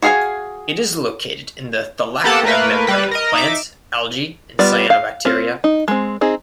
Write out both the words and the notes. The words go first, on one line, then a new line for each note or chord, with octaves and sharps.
It is located in the thylakoid membrane of plants, algae, and cyanobacteria.
F#4 G#4 F5 G5 G#5
A#3 B3 G4 A4 F#5 A5
A3 A#3 A#4 B4
G3 B4
A#4 D#5
D#4 E5 D6
G3 B3 F4 D5
F5
C4 F4
D#4
G#3 C4
C4 D#4 G#4